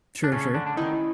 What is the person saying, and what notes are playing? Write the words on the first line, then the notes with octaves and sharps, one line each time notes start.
Sure, sure.
D4
C#3 A3 C#4
D3 D4
D4
D#3 C#4 D#4 E4